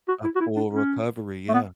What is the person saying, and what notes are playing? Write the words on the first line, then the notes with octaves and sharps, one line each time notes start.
A full recovery, yeah.
F#4
E4
F#4
E4
D4
C#4
A3
B3